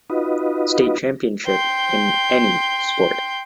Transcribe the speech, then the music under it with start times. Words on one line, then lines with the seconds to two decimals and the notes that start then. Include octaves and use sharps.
State Championship in any sport.
0.10 D#4 F4 F#4 B4 D#5
1.45 G5 C6